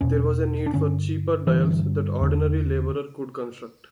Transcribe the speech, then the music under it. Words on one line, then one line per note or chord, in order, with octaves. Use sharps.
There was a need for cheaper dials that ordinary laborer could construct.
E2 B2 C#4
D4
G2 D3 C#4
G2 D3 E3
E2 D3